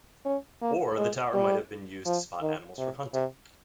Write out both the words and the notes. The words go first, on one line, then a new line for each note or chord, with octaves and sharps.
Or the tower might have been used to spot animals for hunting.
C#4
A#3
G#3
G3
F3
D#3
C3
C3